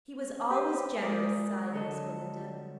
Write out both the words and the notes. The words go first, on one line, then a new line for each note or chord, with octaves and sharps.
"He was always generous," sighed Miss Belinda.
C4 G4 B4 C5
G#3 A#4 D5 D#6
D3 F#3 A4 C#5 D#5